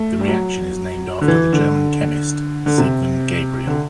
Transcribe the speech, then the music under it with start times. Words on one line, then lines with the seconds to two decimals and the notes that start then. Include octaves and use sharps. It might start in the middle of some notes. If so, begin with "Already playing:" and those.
The reaction is named after the German chemist Siegmund Gabriel.
Already playing: A3
0.21 G3
0.28 F#3
1.21 D3
1.28 E3
1.53 D3
2.66 D3
2.78 C3
3.67 D3